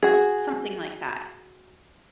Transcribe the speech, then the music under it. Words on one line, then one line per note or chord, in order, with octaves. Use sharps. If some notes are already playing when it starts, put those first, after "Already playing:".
Something like that.
F#4 G#4